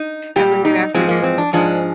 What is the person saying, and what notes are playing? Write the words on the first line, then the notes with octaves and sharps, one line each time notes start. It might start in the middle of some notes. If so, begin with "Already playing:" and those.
Have a good afternoon.
Already playing: D#4
A#2 G3 G4
D#4
G#2 F3 G#3 C4
A#3
C4
D4
G#2 F3 G#3 D4